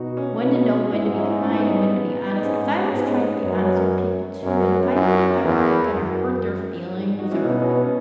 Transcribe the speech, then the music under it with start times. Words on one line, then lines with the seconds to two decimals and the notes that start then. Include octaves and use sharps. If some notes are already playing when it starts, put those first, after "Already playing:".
when to know when to be kind, and when to be honest, 'cause I always try to be honest with people too, but if I know that they're m gonna hurt their feelings, or
Already playing: B2 D#4 F#4
0.17 C#4
0.42 B2 B3 D#4
0.92 G#2 E4
1.05 D#4
1.18 C#4 E4
1.42 C#4 E4
1.55 B3 D#4
1.80 B3
1.93 B3
2.31 D#4
2.42 G#2 C#4
2.84 C#4
2.92 G#2 B3
3.05 C#4
3.17 B3 D#4
3.42 F#2 C#5
3.54 B4
3.65 A#4 C#5
4.43 F#2 A#4 C#5
4.60 B4
4.68 A#4 C#5
4.83 B4
4.93 F#2 A#4 C#5
5.38 B4
5.43 E2 A#4 C#5
5.93 F#2
6.94 G#2
7.19 D#4 F#4
7.31 C#4 E4
7.44 B2 B3 D#4
7.62 C#4
7.69 B3
7.81 C#4